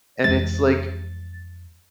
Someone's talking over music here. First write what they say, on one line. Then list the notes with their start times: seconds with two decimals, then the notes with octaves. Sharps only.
and it's like
0.24 F2 E3 G#3 A6